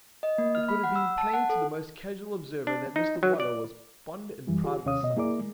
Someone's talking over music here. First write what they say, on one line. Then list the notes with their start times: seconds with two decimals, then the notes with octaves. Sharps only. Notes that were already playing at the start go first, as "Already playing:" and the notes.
It would have been plain to the most casual observer that Mr Waller was fond and proud of his son.
0.23 D#5
0.38 A#3
0.55 F6
0.69 B5
0.84 F#5
0.96 E6
1.18 A5
1.34 F#5
1.50 A4
2.67 D4
2.96 D#4
3.23 F#3
3.40 D5
4.47 F#2 E3 G3
4.64 F4 G4 G#4
4.85 D#2 C3 C#4 C#5 F5 D#6
5.03 B2 D#5
5.17 A#3 E4 G#4 A#4 D5 D6
5.39 G#3